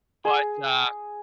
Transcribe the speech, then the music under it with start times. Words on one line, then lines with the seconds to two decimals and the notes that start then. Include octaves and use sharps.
But, uh
0.25 G#4